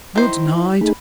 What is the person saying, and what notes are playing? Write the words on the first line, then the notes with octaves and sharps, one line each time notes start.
Good night!'
D#3 E4 C5
A3 D#4 G#4 B5